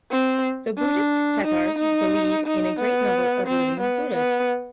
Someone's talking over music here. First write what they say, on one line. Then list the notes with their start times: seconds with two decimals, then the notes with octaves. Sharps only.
The Buddhist Tatars believe in a great number of living Buddhas.
0.11 C4
0.78 D4
1.45 D#4
1.79 D#4
2.47 D#4
2.80 B3
3.47 C4
3.80 B3
4.14 B3